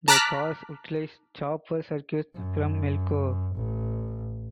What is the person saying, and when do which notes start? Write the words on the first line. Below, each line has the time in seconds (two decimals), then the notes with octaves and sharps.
The cars utilized chopper circuits from Melco.
0.08 A5 A#5 D6 F6 F#6 B6
2.34 F#2
3.55 A1